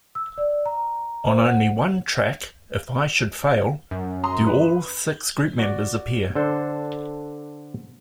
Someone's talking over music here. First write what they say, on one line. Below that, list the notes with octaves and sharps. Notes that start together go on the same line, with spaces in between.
On only one track, "If I Should Fail", do all six group members appear.
E6
D5
A#5
C5
F#5
F#2
A#5 C6 D#6
B4
F#4 D5
D3 D4 A4 C5